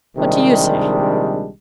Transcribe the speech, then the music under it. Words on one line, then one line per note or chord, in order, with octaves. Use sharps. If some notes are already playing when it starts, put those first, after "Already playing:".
What do you say?
A#1 C3 D#3 G3 G#3 D4